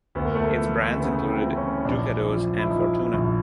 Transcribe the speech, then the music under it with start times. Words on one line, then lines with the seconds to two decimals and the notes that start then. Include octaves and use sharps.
Its brands included Ducados and Fortuna.
0.15 D2 B3
0.25 A#3
0.35 A3
0.44 A#3
0.57 E3
1.00 C#3 B3
1.28 C4
1.42 E3
1.57 C#4
1.85 A#1 D4
2.28 F3
2.58 E4
2.70 F3 D#4
3.13 A#1